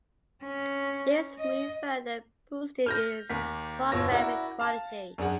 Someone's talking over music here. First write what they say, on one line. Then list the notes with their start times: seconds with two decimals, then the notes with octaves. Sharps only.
This move further boosted its programming quality.
0.44 C#4
1.38 D#5
2.86 F6 G6 A#6
3.30 D#2 B6
3.92 F#1 B2 F4 C#5 E6 A#6
4.12 E4 F#4 A#4 D5
4.59 F5 A5
5.18 F#2 D4 G#4 F#5